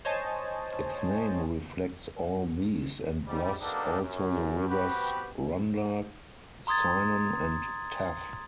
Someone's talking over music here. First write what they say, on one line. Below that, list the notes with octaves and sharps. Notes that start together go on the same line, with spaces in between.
Its name reflects all these, and thus also the rivers Rhondda, Cynon and Taff.
C5 C#5 D#5 G#5 A5
G#2 G3
A#3 B3 D4 D#4 G4 A4
F#2
B3 C4 F#4 G4 B4
A#5 C6 D#6 G#6 A6